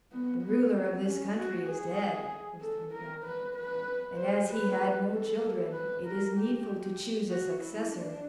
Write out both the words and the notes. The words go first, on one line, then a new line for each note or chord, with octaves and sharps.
'The ruler of this country is dead,' was the reply, 'and as he had no children, it is needful to choose a successor.
B3
B3
C4
C#4
F#4
G#4
A4
A#4
B4
B4
C5
B4
A4
B4
A#4
G4
F#4
E4
D4